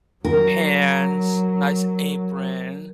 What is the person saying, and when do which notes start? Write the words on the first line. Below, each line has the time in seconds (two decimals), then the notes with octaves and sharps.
pans, nice apron.
0.24 F#3 A#4